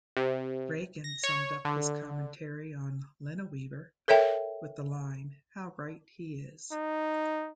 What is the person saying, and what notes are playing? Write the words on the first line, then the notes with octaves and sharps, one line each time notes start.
Reagan summed up his commentary on Linaweaver with the line, How right he is!
C3
A#6
C#5
D3
A4 A#4 C#5 E5 G5
D#4